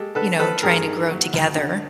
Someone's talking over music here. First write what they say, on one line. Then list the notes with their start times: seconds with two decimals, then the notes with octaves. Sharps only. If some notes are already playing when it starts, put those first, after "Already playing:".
you know, trying to grow together,
Already playing: G#3 G4 A4
0.15 D3 A4 B4
0.39 F3 A4 B4
0.62 G2 G#4 A#4
0.86 D#3
1.10 F#3
1.34 D2
1.56 D3